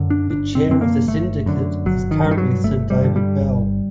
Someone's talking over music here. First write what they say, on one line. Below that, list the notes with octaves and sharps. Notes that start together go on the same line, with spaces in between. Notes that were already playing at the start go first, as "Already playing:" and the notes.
The Chair of the Syndicate is currently Sir David Bell.
Already playing: F#2 D3
D4
G1 D4
C4
F#2 D3 C4
A#3
G1 A3
F#2 D3
G1 F#3
D#3
G2 D3
D#3
F#3
G1 A3
G3
G2 D3
G3
G1